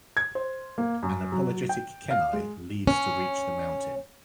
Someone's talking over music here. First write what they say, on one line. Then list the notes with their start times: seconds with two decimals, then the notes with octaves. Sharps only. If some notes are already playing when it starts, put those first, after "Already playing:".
An apologetic Kenai leaves to reach the mountain.
0.17 G#6
0.35 C5
0.78 A#3
1.03 F#2
1.32 F#3
1.69 G5
2.11 F5
2.33 G#3
2.87 C#4